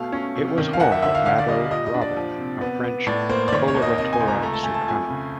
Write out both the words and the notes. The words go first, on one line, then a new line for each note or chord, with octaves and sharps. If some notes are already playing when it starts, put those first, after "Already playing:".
It was home of Mado Robin, a French coloratura soprano.
Already playing: B2 A3 F5
C#4
C3
D#3
F5
D#2 F#5
E5
D3 E5
F5
D3 F5
D5
G3 D#5
A#2 D#5
D#5
D4
D5
F3
C3
B3
B3
A2 D5
A#3 C5
D5
D#3 C#5
C#5
D#2
D#5
C3 D#5
G#5
C#2
A#5
A3 A#5
A5
A3 G#5
A5
F2 G#5
C#3